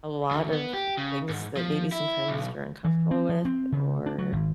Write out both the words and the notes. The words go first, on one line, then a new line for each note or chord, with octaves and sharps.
a lot of things that maybe sometimes you're uncomfortable with or
D2
B3
G4
C#3
G#2
F3
E4
B1
E3
C4
F3
C4
C#3
D4
F#3
G#1